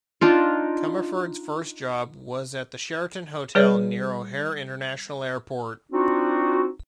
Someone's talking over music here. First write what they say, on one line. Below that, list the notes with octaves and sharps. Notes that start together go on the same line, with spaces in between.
Comerford's first job was at the Sheraton Hotel near O'Hare International Airport.
D4 D#4 F4
G3 G#4 B4 C#5 D5
C4 D4 D#4 F4 F#4